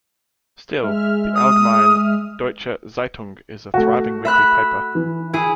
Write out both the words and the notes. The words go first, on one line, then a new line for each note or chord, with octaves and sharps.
Still, the "Allgemeine Deutsche Zeitung" is a thriving weekly paper.
G#3 E5 F6
D#6
A3 F#4
E5 B5 F#6
E3
E4 G#4